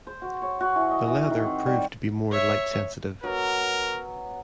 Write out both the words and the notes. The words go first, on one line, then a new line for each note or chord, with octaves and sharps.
The leather proved to be more light-sensitive.
C5
F#4
C#5
F#4
E3
D#5
E3
D#3
C4
G3
C#5 E5
F#3 B3 A#4